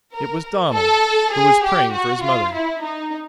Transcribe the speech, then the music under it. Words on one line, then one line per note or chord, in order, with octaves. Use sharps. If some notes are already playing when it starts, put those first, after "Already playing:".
It was Donald who was praying for his mother.
A#4
A4
G#4
G4
F#4
F4
E4
D#4